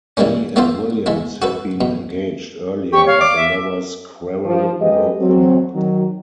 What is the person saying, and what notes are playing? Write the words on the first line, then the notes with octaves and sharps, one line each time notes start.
He and Williams had been engaged earlier but a lover's quarrel broke them up.
E3 G3 G#3 A#3 C#4
A3 B3 C4 F4 A4 C5
G#3 A3 E4
F#4 A4 B4
B2
G4 C#6
C#5 F5
D6
E5
F3
F#2 G#3 G4 B4 D#5
F#3 C4
D#3 F#3